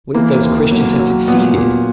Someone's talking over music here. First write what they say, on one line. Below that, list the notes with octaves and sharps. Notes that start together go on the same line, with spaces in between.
What if those Christians had succeeded!...
E3 A#3
D#2
F#3 A#3
F#3
A#2 B3
A#2